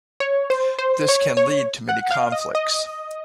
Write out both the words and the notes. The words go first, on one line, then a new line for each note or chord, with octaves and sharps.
This can lead to many conflicts.
C#5
C5
C5
C#5
C#5
F#5
F5
D#5
D#5